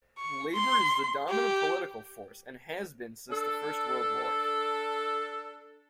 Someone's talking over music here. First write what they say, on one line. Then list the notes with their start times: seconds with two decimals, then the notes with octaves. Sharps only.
Labour is the dominant political force, and has been since the First World War.
0.18 C#6
0.54 C6
1.29 G4
3.30 D4 A4